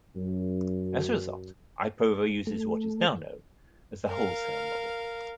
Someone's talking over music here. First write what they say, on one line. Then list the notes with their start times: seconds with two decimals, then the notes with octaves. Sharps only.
As a result, iProvo uses what is now known as the wholesale model.
0.15 F#2
2.47 A3
4.08 A#4 F5